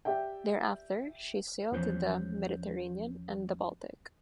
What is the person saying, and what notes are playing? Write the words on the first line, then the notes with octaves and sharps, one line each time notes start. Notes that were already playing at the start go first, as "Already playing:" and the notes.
Thereafter she sailed to the Mediterranean and the Baltic.
G4 D5 E5 G5
E2 F3 C#4 F#6 G6